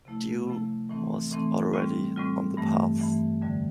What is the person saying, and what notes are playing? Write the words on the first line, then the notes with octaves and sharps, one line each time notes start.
Dew was already on the paths.
C3 F3 A3 E4
C3 F3 A3 E4
A2 E3 A3 C4
A2 E3 A3 C4
A2 G3 C4 F4
A2 G3 C4 F4
G2 E3 A3
G2 E3 A3
F2 D3 G3